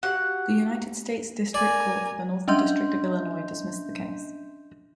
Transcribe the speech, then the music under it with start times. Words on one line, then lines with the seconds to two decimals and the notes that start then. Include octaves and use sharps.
The United States District Court for the Northern District of Illinois dismissed the case.
0.03 F#4 G4 F5 F#5
1.54 A#4 D5 G#5
2.48 C#4 D4 D#5 E5 C6 G6